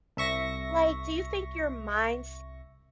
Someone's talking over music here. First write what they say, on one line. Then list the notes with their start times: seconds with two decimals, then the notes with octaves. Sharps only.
Like, do you think your minds
0.17 C2 E5 C#6 A#6